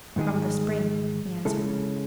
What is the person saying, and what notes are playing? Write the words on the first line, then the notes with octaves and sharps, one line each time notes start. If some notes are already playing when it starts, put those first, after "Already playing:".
"From the spring," he answered.
G#2 D#3 G#3 D#4 G#4
C#3 G#3 C#4 E4 A4